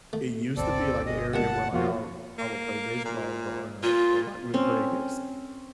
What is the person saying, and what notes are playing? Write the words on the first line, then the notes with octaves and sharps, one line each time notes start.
it used to be, like, a area where, like, I I would play baseball growing up or, like, we would play against
A3
G1 D2 C4 A4 D5
G1 B2 G#3 D#5
B1 G2 A#3 A#4 F#5 A5
F2 B2 F3 A#3 F4 F#4
A#3
A#2
A#2 F4
C4 C#4